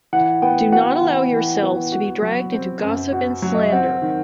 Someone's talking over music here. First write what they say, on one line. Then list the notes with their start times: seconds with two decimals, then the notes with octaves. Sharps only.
Do not allow yourselves to be dragged into gossip and slander.
0.13 E3 F#5
0.42 B3 G5
0.72 F#4 F#5
1.03 E3
1.32 E3
1.62 B3
1.92 F#4
2.22 F#3
2.52 C4
2.82 F#2
3.12 F#4
3.42 F#3
3.55 D#5
3.63 E5
3.72 C4 F#5
4.02 D#3